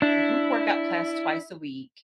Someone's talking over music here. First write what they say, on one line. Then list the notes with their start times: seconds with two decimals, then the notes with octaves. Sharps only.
group workout class twice a week,
0.02 D4 E4